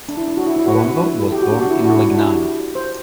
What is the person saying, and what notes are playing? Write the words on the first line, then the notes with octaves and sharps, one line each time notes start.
Colombo was born in Legnano.
D4
E4
D4
F#4
E4
E4
F#4
B4
D4
E4
A4
G4
F#4
D4
F#4
E4
D4
F#4
E4
F#4
D4
E4
G4
C5